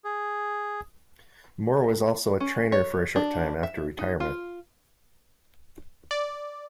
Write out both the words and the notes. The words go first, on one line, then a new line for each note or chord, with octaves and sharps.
Moore was also a trainer for a short time after retirement.
G#4
C#4
C#5
D4
E5
D#4
F4
D5